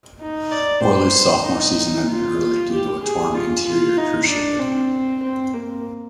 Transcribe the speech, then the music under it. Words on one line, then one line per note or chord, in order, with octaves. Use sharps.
Worley's sophomore season ended early due to a torn anterior cruciate ligament.
D#4
D5
C5
D#4
F4
G4
G#4
F4
F4
D#4
D4
C4
C4
A#3